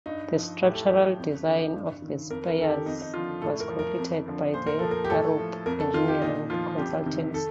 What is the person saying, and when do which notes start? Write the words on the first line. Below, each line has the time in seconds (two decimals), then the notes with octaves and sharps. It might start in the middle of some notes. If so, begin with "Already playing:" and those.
The structural design of the spires was completed by the Arup engineering consultancy.
0.06 G2 D#4
0.34 F3
0.62 A2 G4
0.74 A4
0.86 F3 G4
1.18 F2
1.46 D3 F3
1.73 G2
2.02 D#3
2.30 F2 A#4
2.48 A#4
2.58 D#3 A4
2.67 G4
2.86 F2 D#4
3.01 D#4
3.14 D3 F3 F4
3.41 A2 A4
3.60 A#4
3.70 F3
3.79 A#4
3.98 F2
4.26 D3 F3
4.54 A#2 C5
4.67 A#4
4.79 F3 A4
4.91 A#4
5.04 G4
5.10 A2 A4
5.38 F3
5.66 F2 A#4
5.80 A4
5.94 D#3 F4
6.08 G4
6.22 A#2 D#4
6.50 F3 F4
6.78 F2 G4
7.06 C3 D#3
7.34 A4